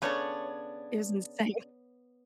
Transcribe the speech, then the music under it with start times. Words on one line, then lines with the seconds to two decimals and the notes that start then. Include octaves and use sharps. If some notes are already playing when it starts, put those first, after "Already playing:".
It was insane.
0.02 C#3 B3 D4 A4 C#5